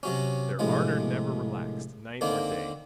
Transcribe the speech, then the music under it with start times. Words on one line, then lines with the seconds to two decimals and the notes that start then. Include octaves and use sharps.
But their ardor never relaxed, night or day.
0.03 C3 F#3 C#4
0.59 A#1 A2 C3 G#3
2.21 D3 D#3 A#3 C4